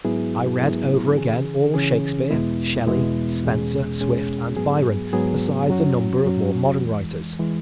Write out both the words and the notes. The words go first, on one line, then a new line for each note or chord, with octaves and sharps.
I read over again all Shakespeare, Shelley, Spenser, Swift and Byron, besides a number of more modern writers.
G#2 F#3 B3 E4 G#4
G#2 F#3 B3 E4 G#4
C#3 E3 C#4 G#4
C#3 E3 C#4 G#4
E2 B2 G#3 B3 E4
E2 B2 G#3 B3 E4
E2 B2 G#3 C#4 G#4
E2 B2 G#3 C#4 G#4
G#2 F#3 B3 G#4
G#2 F#3 B3 G#4
F#2 F#3 C#4 F#4
F#2 F#3 C#4 F#4
E2 E3 G#3
E3 G#3